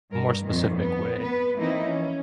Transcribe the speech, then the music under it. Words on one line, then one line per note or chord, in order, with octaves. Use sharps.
more specific way?
G2 A#4
F2 A#2 D#3
B3
B3 B4
E3 F3 A#3 C4 D#4 E4
C#4